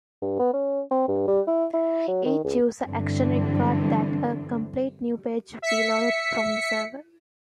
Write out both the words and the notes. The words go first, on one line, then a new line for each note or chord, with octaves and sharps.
Each user action required that a complete new page be loaded from the server.
G2
B3
C#4
C4
G2
G3
E4
E4
F#3
D#3
C#2
G2 D3 E3 F#3 C4 D4
E5 B6 C#7